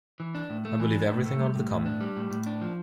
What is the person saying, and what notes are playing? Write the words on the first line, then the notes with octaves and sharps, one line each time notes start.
I believe everything out of the common.
E3
D4
A2
A3
E3
D4
A2
A3
G3
A2
A2
D4
G3
A2
A2
D4
F3